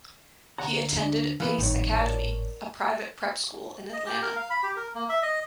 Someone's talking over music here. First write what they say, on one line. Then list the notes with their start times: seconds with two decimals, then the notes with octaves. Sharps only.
He attended Pace Academy, a private prep school in Atlanta.
0.58 D2 F#5 A#5
1.02 D4
1.40 E3 A#3 B3 F5
1.59 G#1 F2 A2 D#3 C#5
1.97 A#4 D5 A5
3.93 D#5
4.06 G4
4.22 A#4
4.36 F5
4.50 B5
4.63 G4
4.77 A#4
4.95 A#3
5.09 E5
5.22 D#5